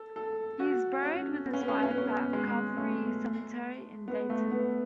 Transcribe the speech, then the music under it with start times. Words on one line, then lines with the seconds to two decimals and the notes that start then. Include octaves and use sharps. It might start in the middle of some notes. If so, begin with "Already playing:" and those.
He is buried with his wife at Calvary Cemetery in Dayton.
Already playing: A4
0.16 A4
0.60 F#4
1.03 C#4
1.46 B3
1.53 C#4
1.61 B3
1.68 C#4
1.76 B3
1.83 C#4
1.91 B3
1.98 C#4
2.06 B3
2.33 G#3
2.77 A3
4.08 B3
4.30 A3
4.51 B3